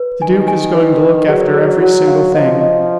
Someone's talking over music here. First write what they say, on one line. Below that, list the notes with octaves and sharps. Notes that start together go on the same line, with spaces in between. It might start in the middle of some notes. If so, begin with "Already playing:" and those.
The duke is going to look after every single thing.
Already playing: B4
D#3 G#5
G#5
B4
B4
F#3 G#4
G#4
F#3 F#4
F5
F3 D#5
D#5